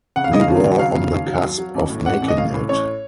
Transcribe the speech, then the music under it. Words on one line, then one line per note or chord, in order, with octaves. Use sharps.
We were on the cusp of making it.
C#3 F#5
F5
C#3 D#5
F5
D#2
C#3
F#3 F5
C#3
D#2
F#3
F#3
F#3
A1
A2
A1 F#5
A1
D#5
A2 F5
A2
A1 C#5